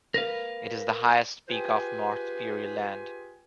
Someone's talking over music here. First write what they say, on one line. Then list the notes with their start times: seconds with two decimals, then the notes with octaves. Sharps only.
It is the highest peak of North Peary Land.
0.14 A#4 B4 F5
1.48 F4 G4 G#4 B4 C5 G#5